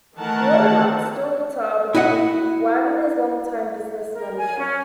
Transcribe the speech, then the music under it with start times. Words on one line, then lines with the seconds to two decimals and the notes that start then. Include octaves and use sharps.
Warden, on steel guitar, became Wagoner's long-time business manager.
0.16 D#3 E3 A3 A#4 F#5 A5
1.95 E4 F#4 D#5 F#5
4.14 A#4
4.37 G#5
4.57 C#4